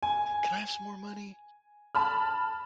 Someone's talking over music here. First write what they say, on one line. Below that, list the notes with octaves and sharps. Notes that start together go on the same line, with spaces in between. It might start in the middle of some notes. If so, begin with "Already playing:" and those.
can I have some more money?"
G#5
A5 B5 F6